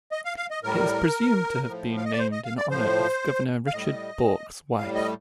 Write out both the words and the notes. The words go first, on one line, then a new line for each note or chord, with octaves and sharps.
It is presumed to have been named in honour of governor Richard Bourke's wife.
D#5
F5
F5
D#5
A2 G3 A#4
A2 F3
F5
D#5
D5
C5
D#5
F5
D5
A2 F3 C5
F5
A2 G3 D#5
A2 G3 F5
D#5